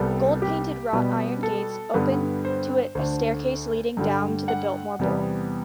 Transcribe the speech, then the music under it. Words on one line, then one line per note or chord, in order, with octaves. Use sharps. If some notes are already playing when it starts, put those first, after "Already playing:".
Gold-painted wrought iron gates open to a staircase leading down to the Biltmore Bowl.
Already playing: C2 C3 G3 B3 A4
G4
B2 G3 B3
A4
G2 D3 G3 B3 B4
C5
D2 D3 A3 C5
G2 D3 G3
F#5
E2 C3 G3 B3